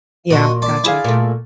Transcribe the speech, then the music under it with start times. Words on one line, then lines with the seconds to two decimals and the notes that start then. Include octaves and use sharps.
Yeah, gotcha.
0.30 A#2 F#4 D#5
0.62 D5 A5 C6
0.84 E4 G#4 F5
1.04 A#2 A3